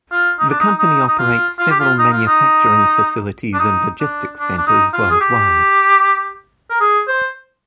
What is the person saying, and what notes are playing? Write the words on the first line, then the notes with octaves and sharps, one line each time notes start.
The company operates several manufacturing facilities and logistics centers worldwide.
F4
D#4
D4
D#4
D#4
D#4
F4
F4
G4
F4
D#4
F4
D#4
D4
D#4
D4
D4
D4
D#4
F4
G#4
G4
A#4
G#4
C5